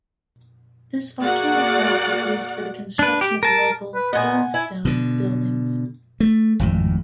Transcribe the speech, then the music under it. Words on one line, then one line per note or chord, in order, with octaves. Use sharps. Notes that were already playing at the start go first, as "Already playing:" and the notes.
This volcanic rock is used for the construction of local "bluestone" buildings.
A#3 F#4 G#4 D5 F#5
D4 B4
G4
A#4 A5
B4
A#2 B3 D#5 F#5 G#5
E4 G#5
B2 D3
A3
G#1 F2 A2